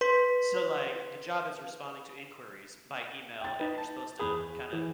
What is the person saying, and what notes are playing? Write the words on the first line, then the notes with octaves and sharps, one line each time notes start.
So, like, the, job is responding to inquiries by email and you're supposed to kinda
B4 C6 B6
G5 A6
D#4 B4
A5
E2 G#4 B5 D#6
E3